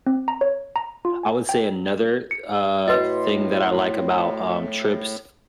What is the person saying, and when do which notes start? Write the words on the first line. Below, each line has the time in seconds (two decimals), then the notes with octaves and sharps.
I would say another, uh, thing that I like about, um, trips
0.07 C4
0.28 A#5
0.41 C#5
0.76 A#5
1.05 F4
1.23 G#5
1.49 G5
2.31 C#7
2.88 A2 F#4 B4 D#5 C6